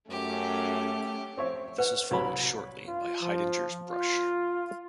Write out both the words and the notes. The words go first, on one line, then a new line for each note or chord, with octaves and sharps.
This is followed shortly by Haidinger's brush.
F#2 A3 C#4 G4
C4 C#5 E5
B4 F#5
C2 F#3 B5
F4
F3
F4